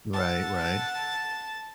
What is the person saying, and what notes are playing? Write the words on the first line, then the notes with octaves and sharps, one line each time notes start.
Right, right.
A4 F#5 A5